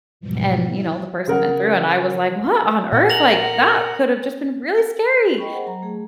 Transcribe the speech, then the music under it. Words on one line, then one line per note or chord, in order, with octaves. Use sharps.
And, you know, the person went through and I was like, "What on earth? Like, that could have just been really scary."
E2 G#2 B2 E3 F3 G3
E4
C#3 A#4 F#5
A#2 F#5
A#4 A#6 F7 F#7
D#5 G5 B5 C#6
G#4 A#4 C5 F#5
F#3 A#5
A3 G#4